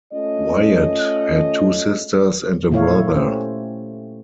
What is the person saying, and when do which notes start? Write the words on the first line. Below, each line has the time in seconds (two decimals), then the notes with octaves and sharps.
Wyatt had two sisters and a brother.
0.13 A3 C#4 F4 D#5
2.71 A#2 A3 E4 C#5 F5
3.14 A3 C#4 G4 C5